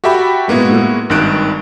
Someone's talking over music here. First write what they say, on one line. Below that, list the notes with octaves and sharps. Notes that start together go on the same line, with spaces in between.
For sure.
F#4 G4 A4 E5 G5 B5
G#3 A#3 B3 E4 F#4
G#1 G2 D#3 F#6 D7